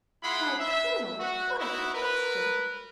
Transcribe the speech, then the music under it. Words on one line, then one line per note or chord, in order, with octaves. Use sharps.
Why, colonel, what a question!
G#3 E4 F4 F#5 B5 C6
E5
F#4
D#4 E4 F#4
A#4 B4